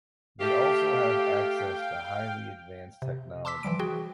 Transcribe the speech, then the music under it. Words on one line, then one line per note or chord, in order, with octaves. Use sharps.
They also have access to highly advanced technology.
A3 G4 F5 G5
C3
A5 C6 D6 E6 B6
E3 F3 G3 D7
F#4 G#4 G5